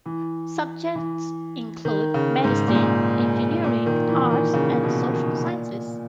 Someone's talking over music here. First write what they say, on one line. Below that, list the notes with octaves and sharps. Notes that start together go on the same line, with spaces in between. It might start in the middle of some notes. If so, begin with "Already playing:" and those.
Subjects include Medicine, Engineering, Arts and Social Sciences.
E3
E3
D#3
C#3
G#2
A#2
G#2
A#2
D#3
E3
E3
D#3
C#3
B2
D#3
A#2